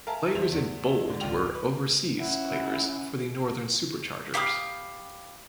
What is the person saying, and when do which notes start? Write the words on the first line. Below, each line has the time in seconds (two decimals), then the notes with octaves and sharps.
Players in Bold were overseas players for the Northern Superchargers.
0.07 A#4 E5 F5 G#5 A5
0.35 E2 E3 C5 F7
0.52 E2
1.08 G#2 D3
1.20 D1 D3 F4 G5 F7
1.55 B4
2.19 C#4 E4 F#5
4.34 G4 F5 B5 D#6